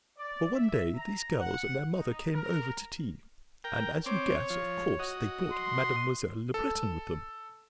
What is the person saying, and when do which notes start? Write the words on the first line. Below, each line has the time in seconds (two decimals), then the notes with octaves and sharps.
Well, one day these girls and their mother came over to tea, and, as you guess, of course, they brought Mademoiselle Le Breton with them.
0.17 D5
0.54 E5
0.95 A#5
1.38 F#5
1.94 D#4
2.33 A#4
3.64 A#4 G5
4.06 C4 C#5 D6
4.50 F3
4.99 F#4 D#5
5.52 C6
6.54 A4